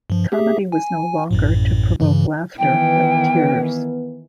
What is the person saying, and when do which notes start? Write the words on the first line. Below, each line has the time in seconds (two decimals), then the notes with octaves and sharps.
Comedy was no longer to provoke laughter, but tears.
0.10 G2 F3
0.32 G4 G#4 E5
0.72 G#5
1.31 A1 F#2 A2
2.00 G2 C#3 E3
2.58 D#3 E3 B3 G5